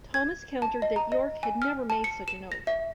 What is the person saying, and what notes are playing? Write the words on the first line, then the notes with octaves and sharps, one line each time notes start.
Thomas countered that York had never made such an oath.
G#6
A5
D#5
A#5
D#5
G#5
F6
A5
C#7
E7
A#6
E5